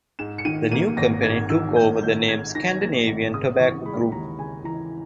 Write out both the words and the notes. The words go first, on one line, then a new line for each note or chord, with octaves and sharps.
The new company took over the name Scandinavian Tobacco Group.
G#2 E7
C#7
D#3 D#7
A#3 D#7
G#1 A#6
G#2 G#6
D#3 E6
A#3 G6
G#1 G6
G#2 G#6
D#3 A#6
G#6
A#3 A#6
G#1
C#3 D#6
E3 C#6
G#3 B5
D#2 A#5
C#3 G#5
E3 A#5